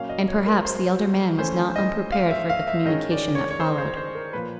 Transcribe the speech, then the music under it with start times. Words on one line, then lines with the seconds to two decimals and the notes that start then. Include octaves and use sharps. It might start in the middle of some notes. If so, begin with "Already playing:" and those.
And, perhaps, the elder man was not unprepared for the communication that followed.
Already playing: A#2 F#3 A#3 C#4 F5
0.09 D#5
0.28 C#5
0.46 A#4
0.65 C5
1.38 E3 A3 C#4 C5
1.76 D#5
2.12 F5
2.31 E5
2.49 F5
2.68 E5
2.86 D#3 G#3 C#4 D#5
3.11 D5
3.35 C#5
3.50 C#5
3.60 C5
3.78 C5
3.97 C5
4.15 A#4
4.33 A#2 F3 A#3 B4